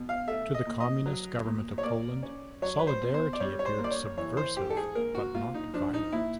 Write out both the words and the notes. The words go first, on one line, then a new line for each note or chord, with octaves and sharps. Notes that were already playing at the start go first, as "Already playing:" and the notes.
To the Communist government of Poland, Solidarity appeared subversive but not violent.
Already playing: B2
F5
A3 E5
D#5
A#2
D#5
F#3
A#2
C#5
A#3 D5
C#4
F#3 C#5
B4
C5
B2
C5
D5
G3 C#5
C#5
C5
A#3
D5
C#5
E3 C#5
C5
G#2 G4
A4
G#4
A#3 A#4
F#4
A#2 F4
D#4
F3 D4
D#4
A#2 E4